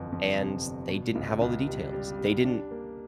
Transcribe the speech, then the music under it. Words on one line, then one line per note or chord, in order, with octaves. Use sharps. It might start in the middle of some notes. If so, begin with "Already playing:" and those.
and they didn't have all the details, they didn't
Already playing: G1 F2 E3
F2
C3
G1
B2
C#2
C#2
G3
G3
G3
D4
A#3